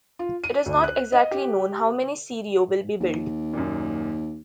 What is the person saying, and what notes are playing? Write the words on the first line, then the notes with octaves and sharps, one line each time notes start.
It is not exactly known how many Sirio will be built.
F4
D#7
D2
F#6
D#5
G4
D#2
F#2 A#2